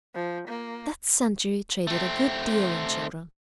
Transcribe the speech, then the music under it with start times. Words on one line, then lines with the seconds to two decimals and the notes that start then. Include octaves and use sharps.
That century traded a good deal in children.
0.15 F3
0.48 A#3
1.87 A3 C4